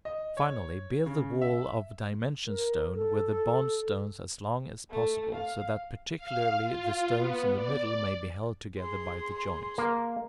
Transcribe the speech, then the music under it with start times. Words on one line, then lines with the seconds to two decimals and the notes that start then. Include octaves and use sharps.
Finally, build the wall of dimension stone, with the bond stones as long as possible, so that particularly the stones in the middle may be held together by the joints.
0.05 D#5
0.37 C#5
1.06 C#3
1.41 E5
2.47 A#4
2.94 A4
4.89 A3
5.33 F5
6.17 F5
6.64 F4
7.16 B3
7.54 D5
8.78 G#4 C6
9.78 A#3